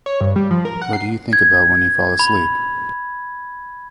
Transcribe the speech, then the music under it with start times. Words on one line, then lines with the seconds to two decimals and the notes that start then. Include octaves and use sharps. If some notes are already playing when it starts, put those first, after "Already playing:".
What do you think about when you fall asleep?
0.06 C#5
0.21 G2
0.36 G3
0.50 F3
0.65 A#4
0.82 F#5
0.93 C7
1.33 G#6
2.19 B5